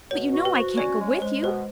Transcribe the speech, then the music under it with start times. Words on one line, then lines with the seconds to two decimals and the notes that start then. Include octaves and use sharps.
But, you know I can't go with you.
0.11 B2 C#5
0.33 F#4
0.45 B4
0.55 F#4 C5
0.77 C#4 D5
1.00 G#3
1.22 G#3 C5
1.43 B2 C5